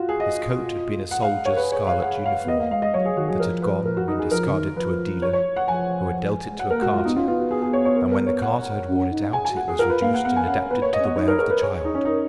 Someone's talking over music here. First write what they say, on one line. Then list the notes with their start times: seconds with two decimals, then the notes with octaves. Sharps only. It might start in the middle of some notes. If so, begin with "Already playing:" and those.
His coat had been a soldier's scarlet uniform, that had gone when discarded to a dealer, who had dealt it to a carter, and when the carter had worn it out it was reduced and adapted to the wear of the child.
Already playing: F4 F#4
0.09 G#4
0.20 D#5
1.11 F#5
1.22 F5
1.45 C#5
1.50 A#4
1.57 G#4 B4
1.72 C#5
1.87 F5
2.02 F#5
2.26 F5
2.44 B3 D#5
2.58 A#3 F5
2.71 G#3 F5
2.82 D#5
2.94 F#3 C#5
3.05 G#4
3.17 D#3 F#4
3.28 F#3 G#4
3.40 F3 A#4
3.62 B4
3.85 A#4
3.97 F#4
4.08 D#4
4.19 G#4
4.31 F3 A#4
4.47 C#3
4.53 D#3
4.76 F3 B4
5.22 C#5
5.33 C#5
5.56 F#5
5.68 F3 G#5
6.50 G#3
6.59 F#3 F#5
6.71 A#3 A#4
6.82 G#3 F#4
6.94 F4
7.05 B3 D#4
7.16 C#4 F4
7.28 B3 F4
7.39 F#4
7.51 G#4
7.62 G#4
7.73 C#5
7.85 C#5
7.97 A#4
8.12 A#4
8.26 C#5
8.42 F#5
8.88 C#4
9.11 D#4
9.33 G#4 G#5
9.45 G#5
9.49 F#4
9.56 F#5
9.64 F#4 G#4
9.79 F4 A#4
9.90 B4
10.01 A#3 F5
10.14 F#5
10.25 B3 F#5
10.36 G#5
10.47 C#4 F#5
10.70 B3 B4
10.81 A#3 C#5
10.93 G#3 D#5
11.00 C#4
11.04 B3 D#5
11.16 D#4 C#5
11.28 A#4
11.39 G#4 A#4
11.50 A#4 B4
11.62 G#4 C#5
11.85 D#4
11.95 C#4
12.05 D#4 A#4